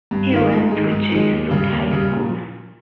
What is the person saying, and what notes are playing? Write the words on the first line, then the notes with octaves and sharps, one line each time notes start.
He went to Jesuit High School.
G2
D#3 A#3 F4
G#2
D#3 G#3
G#2
D#3 G#3
D#2
C#3 G3
D#2
C#3 G3
A#2